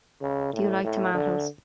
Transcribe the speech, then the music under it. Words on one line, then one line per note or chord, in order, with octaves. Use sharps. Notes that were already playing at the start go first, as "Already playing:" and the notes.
Do you like tomatoes?
C#3
A2
A2
D3